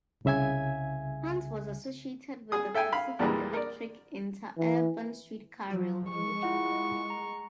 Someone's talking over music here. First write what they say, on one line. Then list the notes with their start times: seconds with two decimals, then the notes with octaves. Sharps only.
Hunt was associated with the Pacific Electric interurban streetcar railroad.
0.25 C2 C#3 E5 G#5 G#6
2.52 G#4 D#6
2.74 A4 E5 G5 G#5
2.92 F5 B5
3.19 E2 A#2 E3 G3 G#3
3.54 A#4 D5
4.58 E3
5.68 F3 F#3
6.10 G#3 C#6
6.43 E4 F4 F#5
7.10 A#5